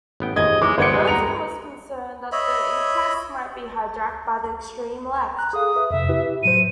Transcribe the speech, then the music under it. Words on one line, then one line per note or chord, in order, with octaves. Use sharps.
Burton was concerned that the inquest might be hijacked by the "extreme left".
A1 B3 G5
D#2 G#2 D#5 G#6
E3 F#3 G#3 D#4 D6
G1 B3 C5 G5 G#6 C#7
G2 G#3
A#5 C#7 F7
C#5 D#5 E5 B5
A#5 F#6
G#4 A4 F5 D#6
B4 E5
F2 C3 E5
E4 G4 B4
A2 F#3 C5 D#7